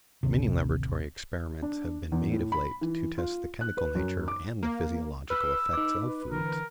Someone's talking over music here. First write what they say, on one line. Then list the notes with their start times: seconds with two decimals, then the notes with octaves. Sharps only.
Many laboratory experiments have been made of late to test the chemical nature and the physiological effects of foods.
0.23 A1 D#2 C3
1.63 D4
2.12 E2
2.32 A2
2.52 B5
2.81 E3
3.18 F4
3.61 F#6
3.77 B4
3.95 F#2
4.28 D6
4.63 A#3
5.30 B4 E6 F6
5.73 D#4 D6
6.32 D3 E3 A#4